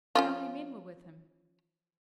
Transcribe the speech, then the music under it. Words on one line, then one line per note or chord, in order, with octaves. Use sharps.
'How many men were with him?'
F3 C#4 F4